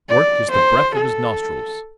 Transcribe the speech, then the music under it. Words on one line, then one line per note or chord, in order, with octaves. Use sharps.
Work is the breath of his nostrils.
D5
C5
A4